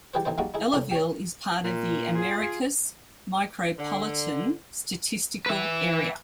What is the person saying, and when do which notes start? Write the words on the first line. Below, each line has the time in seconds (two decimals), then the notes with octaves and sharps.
Ellaville is part of the Americus Micropolitan Statistical Area.
0.14 E3 G3 G4 G#4 B4 C5
0.25 A1 E3 C4 D#4 C5
0.38 F3 G3 G#3 A#3 D#4 F#4
0.54 D#4 E4 G#4
0.73 C2 F2 A2
0.91 G4 C#5
1.64 A#2
2.13 F4 G#4
3.78 D3
5.46 B4 E5